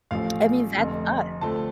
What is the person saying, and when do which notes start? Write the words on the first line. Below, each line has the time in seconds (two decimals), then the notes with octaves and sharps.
I mean, that's us.
0.11 A1 A2 F3 F5
0.76 F1 F2 D3 A3
1.41 D2 D3 F3 A3 C4 A5